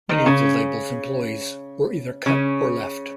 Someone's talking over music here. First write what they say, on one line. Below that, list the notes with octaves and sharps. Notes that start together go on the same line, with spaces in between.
Many of the label's employees were either cut or left.
D#3 D#4
C#3 C#4
C#3 C#4